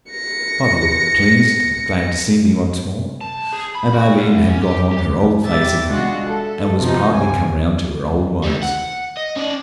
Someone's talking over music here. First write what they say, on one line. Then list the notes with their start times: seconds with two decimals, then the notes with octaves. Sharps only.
Mother looked pleased and glad to see me once more, and Aileen had got on her old face again, and was partly come round to her old ways.
0.11 A#6 C#7
3.21 A5
3.53 G#4
3.75 B5
3.93 F#4
4.14 C2
4.49 C#4
4.62 G4
4.92 G4
5.42 C2 G4 E5 A6
5.88 G#3 D4 F4 F#4
6.27 A4 E5
6.80 C3 F3 B3 D#4
7.11 C#2 G2 G3 C4 G#5
8.43 G3 E4
8.63 F#5
9.17 D#5
9.36 C#4 D5